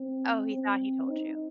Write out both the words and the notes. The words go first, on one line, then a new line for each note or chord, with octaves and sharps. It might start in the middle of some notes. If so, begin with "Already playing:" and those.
Oh, he thought he told you.
Already playing: C4
C4
D#4